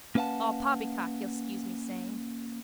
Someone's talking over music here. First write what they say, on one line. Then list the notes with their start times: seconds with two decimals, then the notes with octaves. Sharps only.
All poppycock, you'll scuse me saying.
0.15 A#3 C#4 B4 F5 F#5 A5